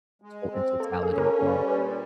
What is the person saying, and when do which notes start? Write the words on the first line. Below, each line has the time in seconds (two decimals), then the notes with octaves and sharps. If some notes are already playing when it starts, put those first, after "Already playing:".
to in totality or
0.22 G#3
0.51 C4
0.80 A#3 A4
1.03 G#4
1.10 C#4
1.18 A#4
1.24 A4
1.40 G3
1.47 B4
1.69 A#2 B4